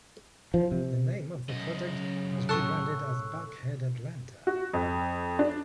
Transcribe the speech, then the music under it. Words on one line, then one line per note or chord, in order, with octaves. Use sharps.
The name of the project was rebranded as 'Buckhead Atlanta'.
F3
C3
F#2 C#3 D#5
A2 A4 C#6 E6 F#6
F#4
F2
D4